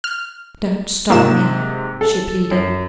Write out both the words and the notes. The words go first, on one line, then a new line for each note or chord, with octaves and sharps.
"Don't stop me," she pleaded.
F6
G#2 C3 A#3 F4 E7
A4
F#2